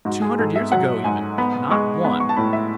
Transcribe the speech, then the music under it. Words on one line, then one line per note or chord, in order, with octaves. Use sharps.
Two hundred years ago even--not one!
G#2 F#4
G#4
G#2 A4
E5
F#3 F#5
G#2 G#5
B3 B5
G#3 C#6
B3 B5
C#6
A5
A2 B5
E5